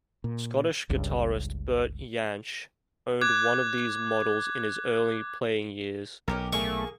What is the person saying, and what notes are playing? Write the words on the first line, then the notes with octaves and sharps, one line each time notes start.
Scottish guitarist Bert Jansch owned one of these models in his early playing years.
A#2
G1 C#2 G2
D6 F#6 G#6
B1 C#4 G4 A#4
A3 A#3 G#4 C#6